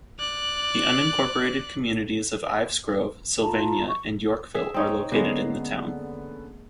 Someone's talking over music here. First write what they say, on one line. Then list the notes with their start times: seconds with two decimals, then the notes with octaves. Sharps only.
The unincorporated communities of Ives Grove, Sylvania, and Yorkville are located in the town.
0.20 D5 F#6
3.41 F4 A5 A#5
3.88 C#6
4.55 G#4 E5
4.74 C4 D#4 C#5
5.12 D3 G#3 A#3 B3 C#4